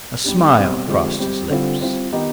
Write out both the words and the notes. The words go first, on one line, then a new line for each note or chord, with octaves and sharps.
A smile crossed his lips.
G3 B3 D4 G4
B2 G3 C4 G4
D3 F3 G#3 C4 G4
G3 C4 G4
D3 G3 C4 F4
G3 C4 F4
D#3 B3 D#4 G4